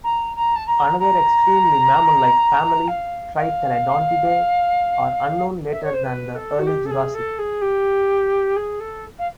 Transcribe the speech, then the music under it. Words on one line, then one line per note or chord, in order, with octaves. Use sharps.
Another extremely mammal-like family, Tritheledontidae, are unknown later than the Early Jurassic.
A#5
A#5
A5
A#5
A#5
F5
F5
E5
C#5
C5
B4
A4
F#4
G4
A4
G#4
A4
G#4
G4
G#4
A4
F5